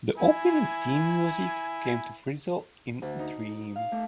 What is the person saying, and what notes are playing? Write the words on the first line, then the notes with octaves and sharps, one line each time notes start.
The opening theme music came to Frizzell in a dream.
E4 G#5
D2
D#4
F5
A3